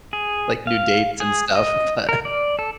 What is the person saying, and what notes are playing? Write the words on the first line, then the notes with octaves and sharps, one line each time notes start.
like, new dates and stuff, but
G#4
F5
G#4
D#5
A#4
D5
A4